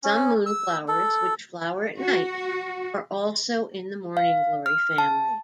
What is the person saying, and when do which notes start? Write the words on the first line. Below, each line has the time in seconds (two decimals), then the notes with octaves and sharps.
Some moonflowers, which flower at night, are also in the morning glory family.
0.04 C#4
0.46 E6
0.88 A4
1.99 F#4
4.17 F5
4.66 F6
4.98 A5